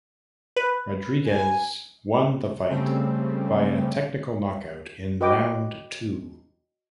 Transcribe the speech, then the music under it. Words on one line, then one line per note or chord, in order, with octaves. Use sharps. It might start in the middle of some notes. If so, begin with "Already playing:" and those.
Rodriguez won the fight via technical knockout in round two.
B4
G#5
C#3 G3 A3 C4
F#4 B4 D#5 G5 D6